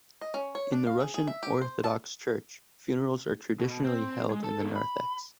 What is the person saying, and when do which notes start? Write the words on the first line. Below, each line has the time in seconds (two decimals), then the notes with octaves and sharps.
In the Russian Orthodox Church funerals are traditionally held in the narthex.
0.21 D#5
0.34 C#4
0.55 C#5
0.72 D4
0.87 F5
1.00 G#4
1.14 G#4
1.27 E5
1.43 G4
1.61 C5
1.84 A5
3.60 B2
3.84 C4
4.31 G#3
4.43 A4 A5
4.62 B3 A4
4.76 B5